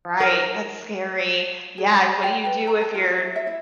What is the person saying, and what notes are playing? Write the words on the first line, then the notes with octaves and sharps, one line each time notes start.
Right, that's scary. Yeah, what do you do if your
A#4
G#4
D4
D5
G5
B4
A#5
A5
F4
E4
E5
E4